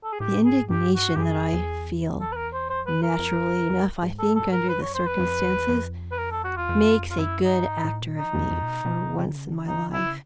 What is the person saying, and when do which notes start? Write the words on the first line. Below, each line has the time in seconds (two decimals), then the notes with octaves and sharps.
The indignation that I feel--naturally enough, I think, under the circumstances--makes a good actor of me for once in my life.
0.04 A4
0.13 G#4
0.20 A2 G4
0.45 G#2 G#4
0.70 G2 G4
0.95 F#4
1.16 G2 G4
1.20 F#2 G#4
1.37 F2
1.53 E2
2.21 A4
2.32 B4
2.36 A#4
2.54 C5
2.70 F2 C5
2.87 B4
3.03 A#4
3.19 F2
3.70 F2
4.03 G#2
4.19 G2 A4
4.36 A4
4.52 A#4
4.69 F#2 B4
4.82 C#5
4.94 F2 C5
5.07 B4
5.19 F2
5.44 E2
5.69 F2
6.12 B4
6.18 A#4
6.31 A4
6.44 F#4
6.57 E2 F4
6.69 F2
6.85 F#2
7.02 F2
7.10 F4
7.18 F#2 E4
7.44 G2 D#4
7.68 G#2
7.85 A2
8.02 A#2
8.18 D#4
8.35 F2
8.51 F2
8.63 A#2
8.68 B2
8.85 B2
9.02 C3
9.19 C#3
9.27 D3
9.36 C#3
9.46 D3
9.55 C#3
9.63 D3
9.68 C#3 D#4
9.81 D3
9.90 C#3 E4